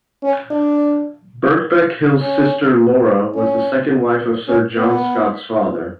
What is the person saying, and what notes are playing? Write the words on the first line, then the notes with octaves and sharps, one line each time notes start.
Birkbeck Hill's sister Laura was the second wife of Sir John Scott's father.
C#4
D4
C#4
C#4
C#4
B3